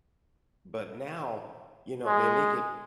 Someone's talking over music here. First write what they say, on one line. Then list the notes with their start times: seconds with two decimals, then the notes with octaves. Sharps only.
but now, you know, they make it
2.06 G#3